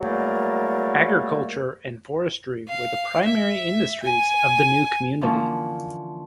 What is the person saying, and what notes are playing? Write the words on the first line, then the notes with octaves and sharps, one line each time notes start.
Agriculture and forestry were the primary industries of the new community.
E2 F#3 G3 A3 A#3 A#4
F5
E5
G#5
D3 E3 F3 A#3 C#4